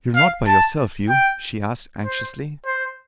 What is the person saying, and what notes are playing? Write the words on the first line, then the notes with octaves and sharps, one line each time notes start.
"You're not by yourself, Hugh?" she asked anxiously.
F5
A5
G5
C5
C5